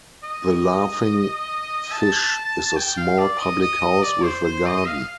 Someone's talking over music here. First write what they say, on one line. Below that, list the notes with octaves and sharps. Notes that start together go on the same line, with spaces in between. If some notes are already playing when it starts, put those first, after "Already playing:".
"The Laughing Fish" is a small public house with a garden.
D#5
A5
G5
F5
D5
D#5
D#5
D#5
D5
C5
C5
D#5
F5
F5